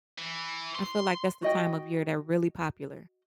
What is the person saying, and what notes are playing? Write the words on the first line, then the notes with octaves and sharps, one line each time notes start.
I feel like that's the time of year they're really popular.
E3
C6
F#4 D#5 G5